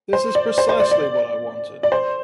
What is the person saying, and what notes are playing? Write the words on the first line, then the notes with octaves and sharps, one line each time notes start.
This is precisely what I wanted.
C5
D5
C5
C5
D5
D5
D5
C5